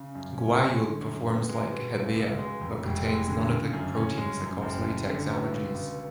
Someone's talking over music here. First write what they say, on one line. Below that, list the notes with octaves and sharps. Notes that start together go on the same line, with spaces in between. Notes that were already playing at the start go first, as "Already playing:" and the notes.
Guayule performs like "Hevea" but contains none of the proteins that cause latex allergies.
Already playing: C#3
F#2
C#4
G#3
D3
F#2
B3
G#3
B2
C#2
C#2
G#3
F2
F1
G#3
D3
C#3
F#2
C#4
G#3
F#2
F#1
F#1
D3
B2
C#2
C#2